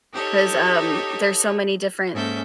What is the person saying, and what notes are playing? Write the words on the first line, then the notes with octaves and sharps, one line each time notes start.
'cause, um, there's so many different
D#4 G4 A4 C#5
G#2 A#3 C#4 A4 E5 G6